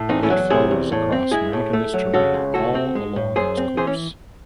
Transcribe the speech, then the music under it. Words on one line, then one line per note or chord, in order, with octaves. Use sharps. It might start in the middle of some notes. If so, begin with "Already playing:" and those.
It flows across mountainous terrain all along its course.
Already playing: A2
E2 C4 D#4
C#4 E4
F#3
C3 E4 G#4
E2
A2
C4
G#3 E4 G#4
A2
A3
F#3
C#3 F#4 A4
C#2
A2 F#4 A4
C4
G#3
A2
F#2 G#4 C5
C4
E3 G#4 C5
C#4